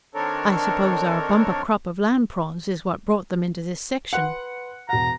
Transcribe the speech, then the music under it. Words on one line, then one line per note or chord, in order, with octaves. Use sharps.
"I suppose our bumper crop of land-prawns is what brought them into this section?"
D#3 C4 D4 A4 A#4 C#5
B4 F#5 C6 F#6
E1 F#5 A#5